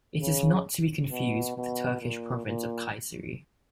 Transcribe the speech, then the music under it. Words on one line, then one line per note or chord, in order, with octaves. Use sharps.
It is not to be confused with the Turkish province of Kayseri.
C#3
B2
B2
A#2
A#2